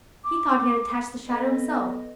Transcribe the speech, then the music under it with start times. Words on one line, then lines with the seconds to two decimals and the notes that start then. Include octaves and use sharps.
He thought he had attached the shadow himself.
0.24 D6
1.28 B3 A4 B4 D#5